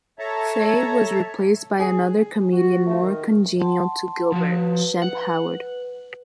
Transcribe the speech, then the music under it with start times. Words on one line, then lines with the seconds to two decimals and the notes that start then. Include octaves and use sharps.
Fay was replaced by another comedian more congenial to Gilbert, Shemp Howard.
0.19 A4 C#5 E5 A5 A#5
1.79 G#4
2.52 F#4
2.86 A3
3.02 D#3
3.59 F#5 A5 C6
4.32 F3 F#4
4.54 B4
5.02 F#5